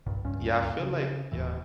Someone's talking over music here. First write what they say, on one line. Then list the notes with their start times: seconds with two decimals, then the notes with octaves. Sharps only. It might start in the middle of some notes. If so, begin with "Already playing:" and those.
Yeah, I feel like yeah.
0.06 B1 G2 A#2
0.24 D1 C#2 G2 C#4
0.79 C#3
1.32 D#1 D#2 A2 E3